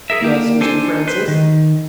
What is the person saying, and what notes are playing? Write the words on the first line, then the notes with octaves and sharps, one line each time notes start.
"Yes, Mr. Francis?"
G#4 A#4 E5
A#3 G4
D4 A4 C5 G#5
B4 C5
D#3